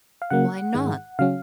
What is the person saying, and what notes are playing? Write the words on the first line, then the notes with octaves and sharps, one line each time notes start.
"Why not?"
F5
C#3 F#3 A#3 F#5
G#2 D#3 G#3
C#3 F#3 C#4 F5